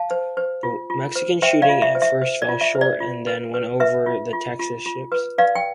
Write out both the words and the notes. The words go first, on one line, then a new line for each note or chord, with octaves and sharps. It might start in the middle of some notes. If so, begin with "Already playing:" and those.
The Mexican shooting at first fell short and then went over the Texas ships.
Already playing: F5 A5
C5
C5
F4
F4
C5
C5 E5 G5
D5 F5
F4
E5
C5
E5
C5
D5
F4
E5
C5
D5
F4
B4
B4
B4 E5
F4
F4
F4
F4
B4
B4 D5 F5
G5